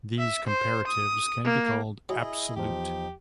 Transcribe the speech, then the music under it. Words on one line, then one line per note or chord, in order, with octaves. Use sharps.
These comparatives can be called "absolute".
E5
C5
D#6
A#3
F#3 E4 G#4 D#5
E2 F3 D#4 G4